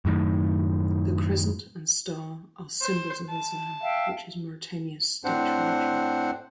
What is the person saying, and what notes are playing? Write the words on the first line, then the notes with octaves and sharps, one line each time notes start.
The crescent and star are symbols of Islam, which is Mauritania's state religion.
F#2 A2 D#3
C5
A5
E5 F5 G5
A2 C4 D4 C5 F#5